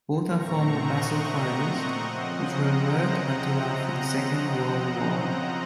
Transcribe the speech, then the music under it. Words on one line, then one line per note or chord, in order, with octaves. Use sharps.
Both are former basalt quarries, which were worked until after the Second World War.
A#2 A3 C4 A#5 C#6
D#5 F#5
D#5 F#5
C#3 F3 C4
F#5 A#5